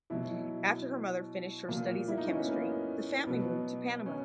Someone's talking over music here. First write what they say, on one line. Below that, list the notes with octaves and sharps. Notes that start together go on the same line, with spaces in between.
After her mother finished her studies in chemistry, the family moved to Panama.
B2 F#3 E4
A#2 F#3 A#3
E4
D#4
C#4
B3
A#3
B2 F#3 B3
C#4